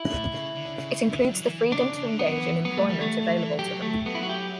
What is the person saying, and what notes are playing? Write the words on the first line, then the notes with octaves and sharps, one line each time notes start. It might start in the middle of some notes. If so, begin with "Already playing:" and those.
It includes the freedom to engage in employment available to them.
Already playing: E4
A2
C#3
D3
C#3
C#3
D3
F#3
E3
C#3 D4
C#3
D3
F#3 B3
E3
F#3 B3
A3
E3 G3
A3
F#3
E3
F#3 G4
A3
F#3 B3
E4
F#4
G4